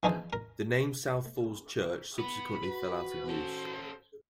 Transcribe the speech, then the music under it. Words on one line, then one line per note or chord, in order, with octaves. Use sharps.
The name South Falls Church subsequently fell out of use.
E3 F3 D#4 G#4 A4 C5
A#4
B3 B5
F#4 B4
C#4 A4 C5